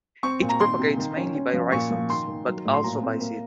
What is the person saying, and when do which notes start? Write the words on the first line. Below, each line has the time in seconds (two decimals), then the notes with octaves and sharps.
It propagates mainly by rhizomes, but also by seed.
0.23 C4 C#6
0.42 A#2
0.49 A#5
0.60 D#3 C6
0.79 C3
0.98 D#3
1.16 C#4
1.35 C#4
1.53 F3
1.72 A#2 C#6
1.90 F3
2.09 D#3 C6
2.27 D#3
2.47 F#3
2.65 A2
2.73 C6
2.84 A#2 A#5
3.03 C4
3.20 A#3